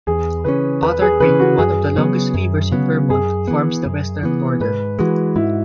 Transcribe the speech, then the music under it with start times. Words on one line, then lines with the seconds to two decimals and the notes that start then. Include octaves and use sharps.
Otter Creek, one of the longest rivers in Vermont, forms the western border.
0.07 E2 G#4
0.44 C#3 E3 C#4 B4
0.82 E2 B4
1.02 G#4
1.20 C#3 E3 C#4 B4
1.40 F#4
1.58 F#2 G#4
1.96 C#3 F#3 B3
2.34 F#2
2.72 C#3 F#3 B3
3.10 F#2 G#4
3.48 E3 B3
3.86 F#2
4.23 E3 B3
4.60 G#2 B4
4.99 E3 G#3 F#4
5.36 G#2 E4